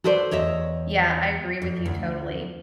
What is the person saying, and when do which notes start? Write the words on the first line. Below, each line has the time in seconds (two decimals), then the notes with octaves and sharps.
Yeah, I agree with you totally.
0.04 F#4 A4 B4 C5 D5
0.31 E2 C#5 D#5 E5
1.62 F2
1.86 D2